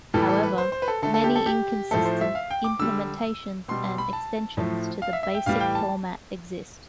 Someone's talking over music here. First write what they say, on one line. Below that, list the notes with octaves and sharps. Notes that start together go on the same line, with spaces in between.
However, many inconsistent implementations and extensions to the basic format exist.
A2 E3 G3 A4
A4
B4
C5
C5
B4
A4
D3 A3 A4
A4
G4
A4
G4
A2 F3 A3 A4
C5
E5
F5
G5
D6
D3 G3 E6
B2 G3 C6
C6
B5
A5
A2 F3 A3
F5
E5
E5
G5
A2 E3 G3 F5
G5
A5